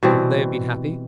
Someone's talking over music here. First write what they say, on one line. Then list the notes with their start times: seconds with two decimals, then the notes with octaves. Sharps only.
Shouldn't they have been happy?
0.03 B2 E3 G3 C4